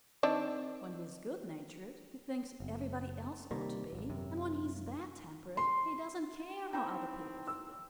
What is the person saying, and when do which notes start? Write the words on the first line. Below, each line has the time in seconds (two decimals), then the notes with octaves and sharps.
When he is good-natured, he thinks everybody else ought to be; and when he is bad-tempered he doesn't care how other people feel.
0.23 D#3 C4 D4
2.60 F#1
3.51 C3 D#3 G3 A#3
3.93 D1 G#1
4.10 F#2 C3
5.57 C6
6.73 C4 D#4 E4 G5
7.47 E6